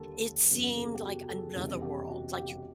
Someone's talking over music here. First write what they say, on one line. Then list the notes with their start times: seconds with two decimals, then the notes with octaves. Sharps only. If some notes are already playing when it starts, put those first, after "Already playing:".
it seemed like another world. Like, you
Already playing: D#2 D3 G3 A4 A#4
0.51 F#1 E2 C#3 F#3
0.76 A4
0.85 G#4
0.95 G4
1.04 F#4
1.29 A4
1.38 G#4
1.56 F1 E2 C#3 E3 G3 A4
1.82 G4
2.08 F#4
2.34 G4
2.49 G4